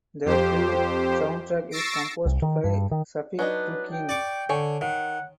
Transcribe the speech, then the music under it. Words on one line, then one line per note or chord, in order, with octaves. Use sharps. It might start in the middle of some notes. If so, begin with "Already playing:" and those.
The film soundtrack is composed by Shafiq Tuhin.
F2 G4 C5
C#6 E6 A6 A#6 C7 D7
C2
D#3
G2
D#3
F#3 D4 D#4 B4
G5
D5 C#6 D6
D3 C#5 G#5
D#3 F#5